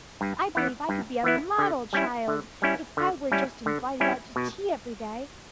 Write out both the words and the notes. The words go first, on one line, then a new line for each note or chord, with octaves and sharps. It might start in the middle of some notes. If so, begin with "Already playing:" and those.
I believe I could be a model child if I were just invited out to tea every day.
G2
E3 B3 E4
G2
E3 B3 E4
D3
G3 C#4 E4
D3
G3 C#4 E4
D3
G3 C#4 E4
D3
G3 C#4 E4
B2